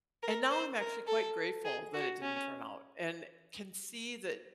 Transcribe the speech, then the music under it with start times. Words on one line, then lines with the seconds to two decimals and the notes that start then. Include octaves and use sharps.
and now I'm actually quite grateful that it didn't turn out, and can see that
0.23 A#4
0.51 C5
0.80 A#4
1.08 A4
1.65 G#4
1.94 F#4
2.22 C#4